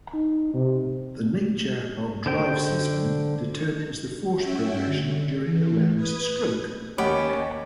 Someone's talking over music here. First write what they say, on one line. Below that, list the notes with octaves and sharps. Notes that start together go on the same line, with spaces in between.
The nature of drive system determines the force progression during the ram's stroke.
D#4
C3
D3 C5 G5
C#4 F#4 C#5 E5 G5
D3
E3
B4 D#6 G#6
D#2 C#4 G4 D#5 F#5 B5